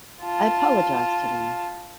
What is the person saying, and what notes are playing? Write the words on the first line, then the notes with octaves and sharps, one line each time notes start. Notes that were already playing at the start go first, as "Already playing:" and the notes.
I apologize to them.
F4 A5